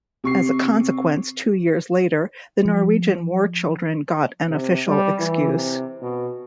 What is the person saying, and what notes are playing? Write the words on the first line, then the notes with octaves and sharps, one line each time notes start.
As a consequence, two years later the Norwegian war children got an official excuse.
C3 C#6 C7
F3
C3
G3
E3
C3
B2